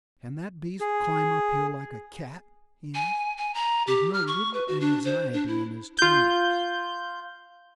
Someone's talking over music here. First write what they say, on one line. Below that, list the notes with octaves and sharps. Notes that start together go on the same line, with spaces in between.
"Can that beast climb up here, like a cat?" he asked, with no little anxiety in his tones.
G#4
G#5
G#5
A#5
G4
F6
C#6
B4
F#4
D4
C5
D4
E4
F4 G6